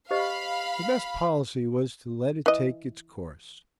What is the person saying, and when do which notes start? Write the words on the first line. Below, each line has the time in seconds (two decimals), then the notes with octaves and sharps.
The best policy was to let it take its course.
0.11 G4 C5 D#5 F5 B5
2.46 E3 D#5